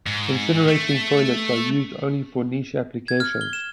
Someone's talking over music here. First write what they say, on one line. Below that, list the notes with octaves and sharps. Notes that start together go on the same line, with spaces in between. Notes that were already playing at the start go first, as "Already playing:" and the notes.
Incinerating toilets are used only for niche applications.
G#2
A3
G#6
F6
G7
E7